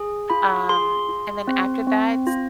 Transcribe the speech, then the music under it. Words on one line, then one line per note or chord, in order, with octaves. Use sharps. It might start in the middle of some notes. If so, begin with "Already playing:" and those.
Um, and then after that,
Already playing: G#4
F4 B5
G#4 C6
F4
C4
C4
F4